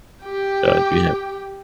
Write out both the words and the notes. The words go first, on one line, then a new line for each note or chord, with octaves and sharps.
Uh, do you have
G4 G5